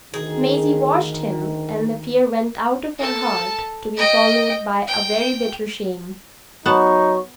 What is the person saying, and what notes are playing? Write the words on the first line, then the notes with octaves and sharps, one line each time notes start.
Maisie watched him, and the fear went out of her heart, to be followed by a very bitter shame.
D2 D#3 G#4
A4 A5
D#5 G5
G5
F#3 B3 D#4 F#5 A5 C#6